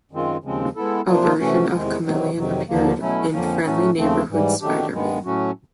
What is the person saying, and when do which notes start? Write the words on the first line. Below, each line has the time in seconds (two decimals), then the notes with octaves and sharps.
A version of Chameleon appeared in "Friendly Neighborhood Spider-Man".
0.11 F#2 D#3 G#3 C4 F4
0.44 D#2 C#3 F3 G#3 C4
0.76 G#3 B3 E4 A4
1.08 C3 F3 A#3 D4 F4
1.40 C3 E3 A3 C#4 F#4
1.72 E2 C3 D#3 G#3
2.04 C3 D#3 F#3
2.36 F2 C3 D#3 F#3
2.69 D#2 D3 F3 A#3
3.01 B2 F#3 A3 C#4 E4
3.33 F2 D3 F3 A#3 C#4
3.65 A2 F#3 A3 C#4 F#4
3.97 D#2 C#3 F3 A3 C4
4.29 G#2 E3 G3
4.61 D#3 F#3 A3 D4 G4
4.93 G2 D#3 G#3 B3
5.25 A2 F#3 A3 C#4 F#4